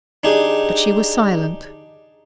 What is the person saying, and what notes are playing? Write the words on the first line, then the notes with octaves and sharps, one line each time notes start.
But she was silent.
D4 D#4 G4 G#4